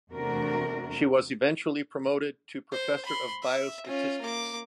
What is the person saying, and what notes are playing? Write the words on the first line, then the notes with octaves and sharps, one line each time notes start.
She was eventually promoted to Professor of Biostatistics.
E2 C3 A3 D4 F#4 A#4
C5
B5 C6
E5
C#4 F4
A#3 D6